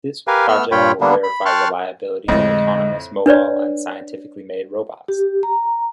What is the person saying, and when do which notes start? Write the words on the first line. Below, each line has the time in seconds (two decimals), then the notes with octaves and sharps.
This project will verify reliability of autonomous, mobile, and scientifically made robots.
0.27 G4 A#4 B4 F5 G#5
0.49 A3 B3 E6 F6
0.71 G2 A#2 F4 C#5 G5 B5
1.01 D3 G3 A#3 B3 D4
1.23 B5
1.46 G5 A5 C6 C#6 F6 F#6
2.28 F2 A2 D3 G#3 D#5
3.26 D4 B4 C#5 D5
5.08 G4
5.43 A#5